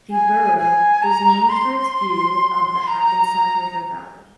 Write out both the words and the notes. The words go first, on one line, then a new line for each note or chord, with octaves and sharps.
The borough is named for its view of the Hackensack River valley.
G#5
G#5
A#5
C6
A#5